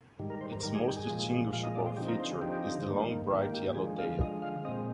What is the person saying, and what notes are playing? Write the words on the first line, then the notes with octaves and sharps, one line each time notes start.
Its most distinguishable feature is the long bright yellow tail.
G#2 D#3 G3
A#4
C5
A#4
G#2 D#3 G3 A#4
G#4
G4
G#4
A#2 F3 G#3
A#2 F3 G#3 F5
D#5
D5
C5
D3 F3 C4 D#4 G4
A#4
C5
G#4
D3 F3 C4 D#4 G4
G#2 D#3 A#3
G#2 D#3 A#3 F4
G4
G4
G4
D3 F3 G#3 G#4
F5
D3 F3 G#3 D#5
F5
A#2 G#3 C4 D#5